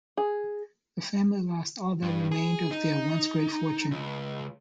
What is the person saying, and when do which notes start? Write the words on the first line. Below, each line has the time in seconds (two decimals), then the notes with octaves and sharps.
The family lost all that remained of their once great fortune.
0.17 G#4
2.02 G2
2.32 G#4
2.71 D#4
3.91 C#2